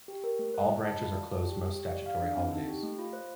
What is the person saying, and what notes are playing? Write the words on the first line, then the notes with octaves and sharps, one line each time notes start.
All branches are closed most statutory holidays.
G4
A#4
A3
C5
D#5
A5
F4
D5
A5
G4
G4
G4
D5
F5
D4
C4
D#4
G4
A3
F4
C5